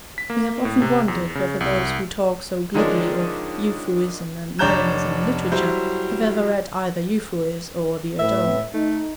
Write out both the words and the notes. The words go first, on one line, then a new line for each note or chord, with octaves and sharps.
We have often wondered whether those who talk so glibly of Euphuism and Marinism in literature have ever read either Euphues or the Adone.
B6
A#3
A2
C3
E2
C#3
C2
D3 D#3 F3 G#3 C#4 D4
F1 D4 C#5 A#5 G6 E7
F#3 G3 E4 C5
A2 B4 E5
A3 D#4